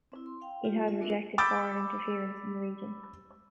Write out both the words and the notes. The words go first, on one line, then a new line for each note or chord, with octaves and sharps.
It has rejected foreign interference in the region.
C4 E4
C6
F5 G5
G3 F4 G4
F4 E5
C4 D4 E4 F#4 A#4 B4
B5 D6 E6 G6 A6